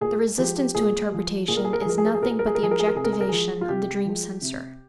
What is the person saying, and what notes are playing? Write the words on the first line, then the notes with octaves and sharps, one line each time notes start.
The resistance to interpretation is nothing but the objectivation of the dream censor.
A#2 G#4
F3 G#3 G4
G4
A#2 G#4
F3 G#3
A#2 G#4
A#4
G#4
A#4
G#4
F3 G#3 A#4
G#4
A#4
G#4
A#2 A#4
G#4
A#4
G#4
A#4
F3 G#3 G#4
A#4
G#4
A#4
C3 G#4
A#4
G#4
A#4
F3 G#3 G#4
F4
C3 G4
F3 G#3
C3